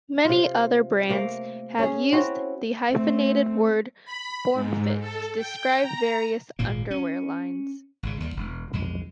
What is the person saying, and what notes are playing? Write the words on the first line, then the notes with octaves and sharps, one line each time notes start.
Many other brands have used the hyphenated word "Form-Fit" to describe various underwear lines.
C3 F4
C3 A3 A#3
C#4 G#4
C4 C#4 E4 F#4
A3 C4
B5
G#2
A4
G5
A#5
G#1 A#2 A#3
C#4
G#1 C#3
D#2 G3
E1
B1 F2 G#3